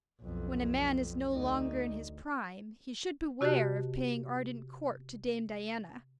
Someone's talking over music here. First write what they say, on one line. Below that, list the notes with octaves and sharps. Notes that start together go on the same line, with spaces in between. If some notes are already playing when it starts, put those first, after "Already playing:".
When a man is no longer in his prime, he should beware of paying ardent court to Dame Diana.
B1 F2
D2 D#4
C3 F#4 G4 D#5 A5 F#6